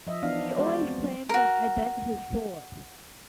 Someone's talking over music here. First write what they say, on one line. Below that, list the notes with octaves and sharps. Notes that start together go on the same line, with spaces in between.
'He always claimed that I bent his sword.
F3 D#5 E5
E3 B3 D4 F5
G#3 F#4 C5 D5
B3 C4
F#3
F#4 A#4